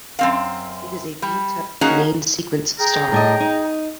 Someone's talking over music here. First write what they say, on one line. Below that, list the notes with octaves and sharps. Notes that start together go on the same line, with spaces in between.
It is a B-type main-sequence star.
F#2 C4 F5
G3
A#3 C#4 D#4 F#4 G#4
G#4 G5 A#5
A2 D4 D#5
D#4